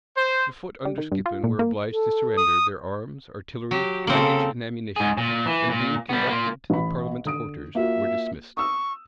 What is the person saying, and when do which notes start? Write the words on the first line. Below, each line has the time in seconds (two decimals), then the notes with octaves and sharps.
The foot under Skippon were obliged to surrender their arms, artillery, baggage, and ammunition; and being conducted to the parliament's quarters, were dismissed.
0.16 C5
0.85 G3
0.98 D#3
1.12 G2
1.26 F4
1.44 A#2
1.59 A#3
1.92 A4
2.37 D#6
3.71 F#3 G4
4.07 C#3 A#3 C4 A4
4.96 G#2 G#4
5.17 A#2
5.46 E3
5.69 A#2
6.09 G3 B3
6.29 A#3 F4
6.70 A1 B5
7.25 D3 D#6 D7
7.75 A#3 F4 F#4 E5
8.57 C#6 D#6 E6